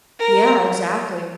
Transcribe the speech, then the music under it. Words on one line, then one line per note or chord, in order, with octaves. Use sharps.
Yeah, exactly.
A#4